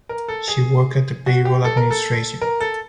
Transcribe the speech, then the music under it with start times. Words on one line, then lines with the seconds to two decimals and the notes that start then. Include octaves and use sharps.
She worked at the payroll administration.
0.09 A#4
0.28 A4
0.48 G#4
1.26 F#4
1.45 G4
1.64 A4
1.77 A#4
1.91 A4
2.41 A#4
2.60 A4